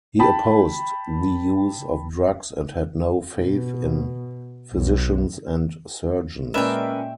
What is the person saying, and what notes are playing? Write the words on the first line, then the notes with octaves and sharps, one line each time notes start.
He opposed the use of drugs and had no faith in physicians and surgeons.
G5 A5 B5
B2
B1
A#2 G#3 C#4 A#4 B4 D5 E5 G5